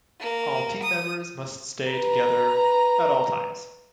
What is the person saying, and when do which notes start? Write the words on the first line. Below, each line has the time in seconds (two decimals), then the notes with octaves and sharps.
All team members must stay together at all times.
0.20 A#3
0.83 D#6
1.89 B4 A#5